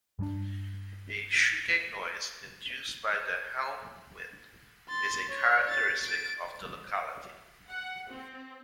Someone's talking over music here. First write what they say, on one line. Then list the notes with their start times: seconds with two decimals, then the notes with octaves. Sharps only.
A shrieking noise induced by the Helm Wind is a characteristic of the locality.
0.19 G2 G3 A#3 D4
4.89 C6 A6
5.30 C#5
5.69 A6
6.01 A6 D7
7.68 F#5
8.10 C4